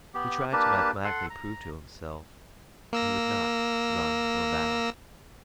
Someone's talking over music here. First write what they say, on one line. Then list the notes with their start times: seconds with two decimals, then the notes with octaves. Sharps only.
He tried to mathematically prove to himself that he would not run from a battle.
0.14 B3 G4
0.53 A#3 D4 G4 B4 A5
1.04 A4 F#5 C6
1.30 A#5
2.93 A#3 E6 A#6